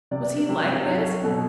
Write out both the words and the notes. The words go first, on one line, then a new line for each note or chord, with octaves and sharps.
Was he like this?
C3 D5
C3
F#3 C#5
B2 A4